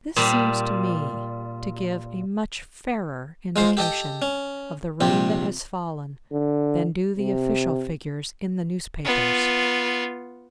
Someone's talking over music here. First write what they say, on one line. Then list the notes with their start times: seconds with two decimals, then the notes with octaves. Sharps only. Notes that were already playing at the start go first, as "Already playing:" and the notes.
This seems to me to give a much fairer indication of the rain that has fallen than do the official figures in the newspapers.
0.16 A#2 G3
3.56 G#3 F4 C5
3.77 G4 A4 D#5 G5
4.22 C#4
5.01 A#1 C3 G4
6.32 D3
7.19 C3
9.05 B3 F4